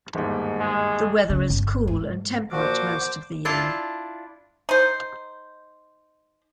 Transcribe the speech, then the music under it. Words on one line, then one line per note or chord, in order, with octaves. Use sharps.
The weather is cool and temperate most of the year.
G1 D#2 G#2
G#3
C#3
G1
G#2
A#2 F3 F#4 C5 D6
D4 E4 F4 A5
D#4 C5